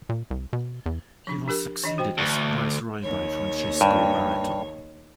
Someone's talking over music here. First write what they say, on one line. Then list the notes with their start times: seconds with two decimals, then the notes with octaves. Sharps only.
He was succeeded as viceroy by Francisco Barreto.
0.09 A#2
0.30 C2
0.53 B2
0.86 E2
1.27 F3 D4
1.48 D4 G4 A#4
1.84 E3 D4 D#5
1.98 F#4 C5 G5
2.18 D2
3.03 D#2 C#5
3.81 G2